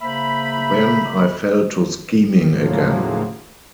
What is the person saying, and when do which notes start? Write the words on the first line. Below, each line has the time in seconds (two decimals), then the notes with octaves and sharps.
Then I fell to scheming again.
0.02 C#3 A#3 C5 E5 B5
2.48 D#2 A2 C#3 F3 F#3 A#3